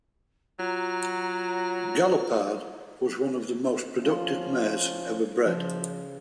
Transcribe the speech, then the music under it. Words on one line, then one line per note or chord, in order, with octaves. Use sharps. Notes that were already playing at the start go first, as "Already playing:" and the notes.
Galopade was one of the most productive mares ever bred.
F#3 F4 A#5
F3 C#4 F4
C#3 F3